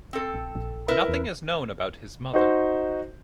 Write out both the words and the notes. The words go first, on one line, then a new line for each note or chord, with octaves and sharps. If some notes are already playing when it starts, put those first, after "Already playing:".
Nothing is known about his mother.
C4 A4
A#1
A#1
E4 A#4 B4
E2
D#4 F#4 C5